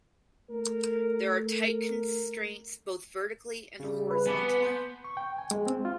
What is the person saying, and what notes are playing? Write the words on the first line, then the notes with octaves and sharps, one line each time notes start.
There are tight constraints both vertically and horizontally.
A3 A#4
A#4
C#3 G3
B4
B3 G#5 A5 D6
C6 G6
C#6
G5
G#5
G#3
C4
F4